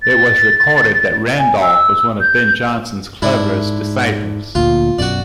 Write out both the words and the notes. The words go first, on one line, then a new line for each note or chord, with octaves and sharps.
It was recorded that Randolph was one of Ben Jonson's cleverest disciples.
A6
G#5
E6
G6
G#2 D4 E4
D2 A#2 F4
B1 F#2 B2 F#4 D5